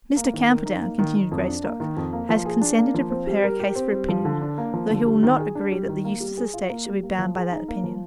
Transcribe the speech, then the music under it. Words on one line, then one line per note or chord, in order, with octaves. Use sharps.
"Mr. Camperdown," continued Greystock, "has consented to prepare a case for opinion, though he will not agree that the Eustace estate shall be bound by that opinion."
A#3
D#3
A#4
D#4
A#3
D#3
D#3
F2
D4
A#3
D#3
F2
A#3
F3
G#4
D4
A#3
F3
C4
G3
A#4
G4
C4
G3
F3
D3
D4
A#3
F3
D3
G3
D#3
G#4
D4
G3
D#3
A#3
G3
G#4
F4
A#3
G3
A#3
F3
G#4
D#4
A#3
F3